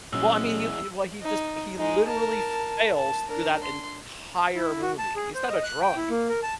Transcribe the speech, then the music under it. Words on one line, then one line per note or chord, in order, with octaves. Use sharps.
Well, I mean, he l he well, he just he literally fails through that entire movie. He's not a drunk,
E2 A#2 F#3 G#3 C#4 E6
D#4
G#3 D#4
A#4 A5
A5
D4 A#4
C6
E4
F#4
A5
G#4
C5
D#5
F#6
G5
E4
A#3
A#4
A5